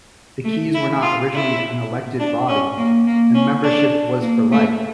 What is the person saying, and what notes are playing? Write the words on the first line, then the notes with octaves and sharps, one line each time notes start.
The Keys were not originally an elected body, and membership was for life.
A3
E4
F4
E4
D4
C#4
A#3
A#3
C#4
D4
A#3
A3